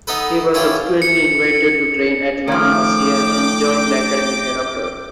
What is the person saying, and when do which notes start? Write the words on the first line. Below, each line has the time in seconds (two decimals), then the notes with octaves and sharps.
He was subsequently invited to train at La Masia and joined the academy thereafter.
0.07 B3 D#4 A4 B4
0.54 C#4 E4 F4 G4
1.02 C#7
2.48 D#3 F3 A3 G5 D6